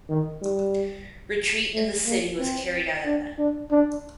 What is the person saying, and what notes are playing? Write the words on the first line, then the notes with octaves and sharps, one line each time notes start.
Retreat in the city was carried out at night.
D#3
G3
A3
A#3
C4
D4
D4
D4